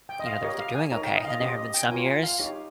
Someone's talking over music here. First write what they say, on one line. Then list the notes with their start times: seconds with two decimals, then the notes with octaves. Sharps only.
you know, they're they're doing okay and there have been some years
0.09 G5
0.20 D#5
0.26 F5
0.42 G4 A#4 C#5 D#5
0.59 F5
0.75 G#5
0.91 D#4 A#4 C#5 A#5
1.04 G5
1.15 D#5
1.24 F5
1.28 D#5
1.40 C#4 G4 C5 D#5
1.57 D#5
1.74 G5
1.90 F4 A#4 C#5 G#5
2.06 G#5
2.23 F5
2.40 D#4 G4 C#5